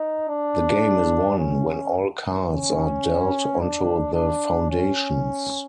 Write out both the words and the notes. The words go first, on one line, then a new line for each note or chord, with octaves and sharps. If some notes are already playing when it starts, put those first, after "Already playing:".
The game is won when all cards are dealt onto the foundations.
Already playing: D#4
D4
C#4
C#4
D4
D4
C#4